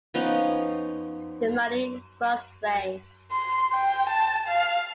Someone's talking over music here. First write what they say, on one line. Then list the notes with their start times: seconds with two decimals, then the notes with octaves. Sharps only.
The money was raised.
0.14 F3 B3 C#4 D#4
3.32 C6
3.73 G5
4.09 A5
4.48 F5